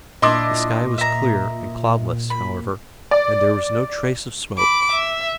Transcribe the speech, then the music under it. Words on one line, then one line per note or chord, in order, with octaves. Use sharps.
The sky was clear and cloudless, however, and there was no trace of smoke.
A#2 D4 E4 D#5 C6 D6
E5 A#5
B5
D5
B5 D6
E5